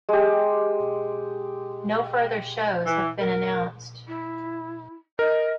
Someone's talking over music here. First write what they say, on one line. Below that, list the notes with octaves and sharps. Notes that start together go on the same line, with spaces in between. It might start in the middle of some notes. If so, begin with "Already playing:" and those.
No further shows have been announced.
G#3 G4
E3
A#4
E4
A#4 D#5